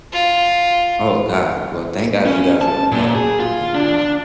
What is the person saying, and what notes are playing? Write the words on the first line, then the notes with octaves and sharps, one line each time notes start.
Oh, god. Well, thank gods you guys are okay, you know?
F4
C#4
A5
A#2
G#4
F4
D4